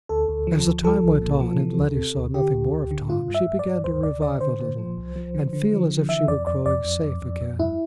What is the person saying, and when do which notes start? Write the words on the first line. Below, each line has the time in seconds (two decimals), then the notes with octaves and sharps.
As the time went on, and Letty saw nothing more of Tom, she began to revive a little, and feel as if she were growing safe again.
0.09 D2 A4
0.28 D2
0.47 F3
0.66 D2
0.84 F3 A4
1.04 C2
1.22 A#2
1.41 F3
1.59 E3
1.78 D2
1.97 C3
2.16 D2
2.34 D3 G4
2.53 D2
2.72 D2
2.91 D3
3.09 G2 F4
3.28 G2
3.34 E5
3.47 G2
3.59 D5
3.66 G2
3.84 D2 C5
4.03 D2 D5
4.22 D3 D5
4.40 D3 C5
4.60 A#2
4.78 F3
4.97 C2
5.16 F3
5.34 D3
5.53 D3
5.72 F3
5.91 D3
6.09 E3 E5
6.28 F2 D5
6.47 F2 D5
6.66 F2 D5
6.85 F2
7.03 F2
7.22 F2
7.41 F2
7.59 G2 E4